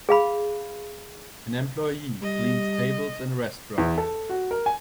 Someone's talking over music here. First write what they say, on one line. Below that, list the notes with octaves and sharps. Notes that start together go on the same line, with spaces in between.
An employee cleans tables in a restaurant.
G#4 F5 B5
G3 D#5
E2
A4
F#4
A#4
G#5